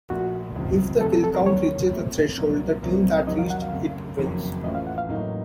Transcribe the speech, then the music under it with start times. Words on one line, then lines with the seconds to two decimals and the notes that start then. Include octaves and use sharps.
If the killcount reaches a threshold, the team that reached it wins.
0.10 A#1 A#2 A3 F#4
0.55 C#2 C3 F3
1.01 F1 F2 C3 F#3 A3 A4
1.12 A4
1.24 A4
1.35 A#4
1.46 D#2 D#3 F#3 C#5
1.92 A#2 A3 C4
2.38 C2 A#2 F#3
2.83 C2 A#2 F#3 C4
3.27 F2 C3 D#3 F#3 D#5
3.39 F5
3.50 F#5
3.62 F5
3.73 F#2 C#3 A3
4.19 F#1 F2 D#3 F#3
4.63 A1 A2 A3 C#4 F4 D#5
4.75 F5
4.87 F#5
4.98 F5
5.09 A1 A2 F#3 A#3 D#4